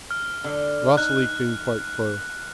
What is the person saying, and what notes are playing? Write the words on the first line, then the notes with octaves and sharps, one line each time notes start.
Vasily came quite close.
F6
D3
D#4 F#6